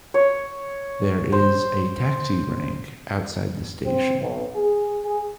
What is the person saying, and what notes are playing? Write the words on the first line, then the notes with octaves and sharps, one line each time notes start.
There is a taxi rank outside the station.
C#5
C5
C4
B1
G#4
G#4